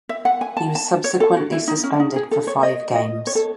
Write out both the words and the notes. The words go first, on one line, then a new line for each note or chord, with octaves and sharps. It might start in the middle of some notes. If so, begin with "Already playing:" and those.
He was subsequently suspended for five games.
E5
F#5
G#5
A5
A5
C#5
A4
F#4
E4
D#4
C#4
D#4
G#4
A4
C#5
D#5
D#5
C#5
A4